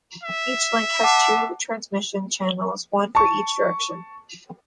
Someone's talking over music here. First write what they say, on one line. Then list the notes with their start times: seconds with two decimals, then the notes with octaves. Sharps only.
Each link has two transmission channels, one for each direction.
0.23 E5
1.03 F#5 A5 D6
3.15 A5 C#6